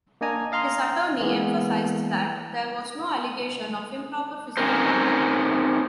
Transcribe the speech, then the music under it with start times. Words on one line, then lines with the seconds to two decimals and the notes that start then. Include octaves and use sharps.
His attorney emphasized that there was no allegation of improper physical contact.
0.21 A#3 D4 D#5 G#5 A#5
0.52 D#5 F5 A#5 C6
1.20 E3 G#3 A#3 B3
4.57 C4 C#4 D#4 A#4 C5